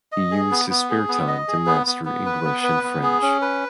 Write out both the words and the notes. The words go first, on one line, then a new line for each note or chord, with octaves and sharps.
He used his spare time to master English and French.
D#5
G#4
B3
B3
G#4
B3
D#5
G#4
B3
B3
B3
B4
B3
B4
B3
G#4
C#4
B4